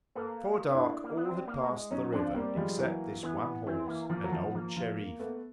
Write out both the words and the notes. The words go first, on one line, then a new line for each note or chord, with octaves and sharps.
Before dark all had passed the river except this one horse and old Shereef.
A#3 A4 B4
D4 E4
A#3
B3
C4
A#3
G#3
F#3 C#4 D#4
F3 C4 D4
G3 A#3 C4
F3 G3 G#3
E3 F#3 A#3
E3 B3
E3 C4
E3 A#3
F3 A#3
F#3
F3 A3
B3
F3 A#3
F3
A3 B3